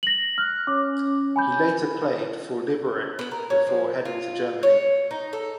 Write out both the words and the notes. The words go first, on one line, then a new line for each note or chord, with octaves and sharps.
He later played for Liberec before heading to Germany.
A#6 F#7
F6 F#6
C#4 D6
G#5 B5 G6
B3
A#4
C#4
F3
F4
C#5
D#4
A4